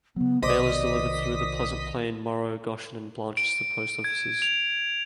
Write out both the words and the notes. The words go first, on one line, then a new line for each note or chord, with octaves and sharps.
Mail is delivered through the Pleasant Plain, Morrow, Goshen, and Blanchester post offices.
C#3 F#3 B3
B1 C3 D#3 C5 D5 D#5 D#6 B6
D7
G#6
F7